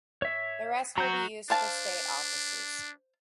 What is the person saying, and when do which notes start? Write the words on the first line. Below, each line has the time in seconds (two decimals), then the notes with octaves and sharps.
The rest will be used for state offices.
0.22 C#5 E5
0.98 F#3 F#4 A#5 G6
1.50 D4 C5 F5 A5